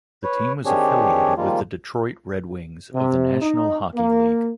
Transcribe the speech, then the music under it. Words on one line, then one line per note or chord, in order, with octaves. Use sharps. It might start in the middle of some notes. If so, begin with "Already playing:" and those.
The team was affiliated with the Detroit Red Wings of the National Hockey League.
B4 C#5
D#3 C4 D4 G4 G#4 C#5
D#3 F3 G3 G#3 A#3 F4
C3
D#4
A#3